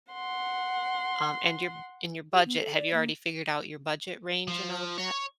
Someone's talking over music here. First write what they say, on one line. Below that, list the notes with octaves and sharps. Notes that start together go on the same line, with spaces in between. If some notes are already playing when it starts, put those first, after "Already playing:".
um, and your and your budget. Have you already figured out your budget range and all of that?
F#5 C6
G4
B3
A4
D5
A#3
F3
C#5